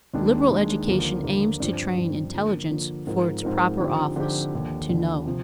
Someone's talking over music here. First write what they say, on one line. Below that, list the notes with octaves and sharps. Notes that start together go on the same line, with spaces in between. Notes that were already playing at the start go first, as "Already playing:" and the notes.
Liberal education aims to train intelligence for its proper office: to know.
D#2 D#3 G#3 D4
D#2 D#3 G#3 D4
D#2 D3 F3 A#3 F4
D#2 D3 F3 A#3 F4
G2 F3 C4
G2 F3 C4
D3 F3 A#3
D3 F3 A#3
G#2 F3 C4 D#4 A#4
G#2 F3 C4 D#4 A#4
D3 F3 C4 D#4 G4
D3 F3 C4 D#4 G4
D#2 D3 F3
D#2 D3 F3
C3 F3